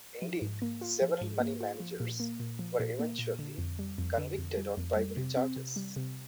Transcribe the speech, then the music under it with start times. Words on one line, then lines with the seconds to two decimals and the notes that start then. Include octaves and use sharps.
Indeed, several money managers were eventually convicted on bribery charges.
0.22 F3
0.42 G#2
0.62 A#3
0.81 F4
1.02 F3
1.21 G#2
1.40 A#3
1.61 F4
1.80 F3
2.00 A#2
2.20 A#3
2.40 A#2
2.59 F3
2.80 A#2
2.99 A#3
3.19 A#2
3.39 D3
3.58 F2
3.79 G3
3.98 F2
4.18 D3
4.38 F2
4.57 G3
4.77 F2
4.97 G3
5.17 C3
5.37 C4
5.56 C3
5.76 G3
5.96 C3